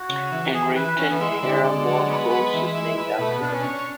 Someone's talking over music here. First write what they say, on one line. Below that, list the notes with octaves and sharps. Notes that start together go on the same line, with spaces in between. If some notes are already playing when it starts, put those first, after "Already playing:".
In Wrington 'Hannah More Close' is named after her.
Already playing: F#4
C#3
E3
E3 G#4
E3 B4
B4
E3 C#4
B3
G#3 E4
G#3
D3 G#3
D3
F#3
B3
B4
E3
E4
B4
B2 A3
B3
B2 D4
C#4
C#4 D4